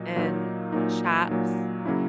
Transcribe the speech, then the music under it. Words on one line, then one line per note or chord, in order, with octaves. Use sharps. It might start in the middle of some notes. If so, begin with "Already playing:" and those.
And shops
Already playing: A#2 F#3 A#3 D#4
A#2 F#3 A#3 D#4
A#2 F#3 A#3 D#4
A#2 F#3 A#3 D#4
C#3 F#3 A#3 C#4 E4